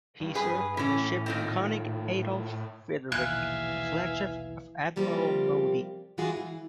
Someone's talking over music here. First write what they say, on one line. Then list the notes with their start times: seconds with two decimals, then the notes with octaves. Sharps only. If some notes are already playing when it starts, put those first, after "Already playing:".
He served in the ship "Konig Adolf Frederic", the flagship of Admiral Modee.
0.20 G2
0.35 G#4 B4
0.77 A2 E3 C#4
1.26 A#2 D#3 C4
3.12 A#1 D#2 B2 E3 E5 F5 G#5 F#6
4.96 C3 F3 G3 A#3 C4 G4
6.18 E3 G#3 F4 F#4 G#4
6.37 E3